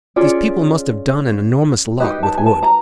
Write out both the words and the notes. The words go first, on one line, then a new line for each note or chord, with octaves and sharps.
These people must have done an enormous lot with wood.
C#4 F4 G#4 D5
D#4 G4 B4 D#5
A5
G#5
A5
A#5